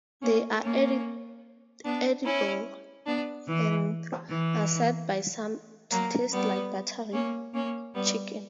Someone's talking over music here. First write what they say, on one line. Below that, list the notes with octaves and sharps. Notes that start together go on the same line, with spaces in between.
They are edible, and are said by some to taste like buttery chicken.
A#3 C#4
A#3 C#4
B3 D4
C#4 E4
B3 D4
E3
E3
F#3 A#3
G3 B3
A#3 C#4
A#3 C#4
G3 B3